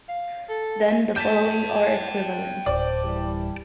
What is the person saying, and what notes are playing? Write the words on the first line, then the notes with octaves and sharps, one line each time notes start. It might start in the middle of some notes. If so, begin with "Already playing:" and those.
Then the following are equivalent.
F5
A4
G5 A5 G6 B6
D1 C5 D5
E3 G3